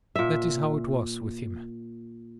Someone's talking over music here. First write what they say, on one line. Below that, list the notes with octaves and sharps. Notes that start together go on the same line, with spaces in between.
That is how it was with him.
A#2 E5